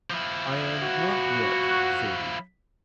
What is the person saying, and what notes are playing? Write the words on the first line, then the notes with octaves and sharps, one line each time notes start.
'I am not yet thirty.'
F3 E4
F#4